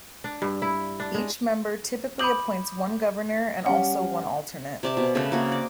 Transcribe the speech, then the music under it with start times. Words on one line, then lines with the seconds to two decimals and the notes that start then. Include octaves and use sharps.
Each member typically appoints one governor and also one alternate.
0.24 D4
0.42 G2
0.62 E4
1.00 D4
1.14 G#3
2.19 B5 D6 D#6 G6 F#7
3.66 G3 C#4 F#5
4.83 C3 D5 A5
4.97 B2
5.15 C#3 A3 C4 B4
5.32 A#3 F#4 G#4
5.52 D5